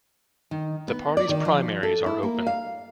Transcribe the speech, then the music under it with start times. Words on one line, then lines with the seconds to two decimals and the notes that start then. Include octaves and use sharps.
The party's primaries are open.
0.51 D#3
0.88 B3
1.17 D5
1.29 D#3
1.45 F3
1.83 A4
2.06 E4
2.23 A#3
2.47 F5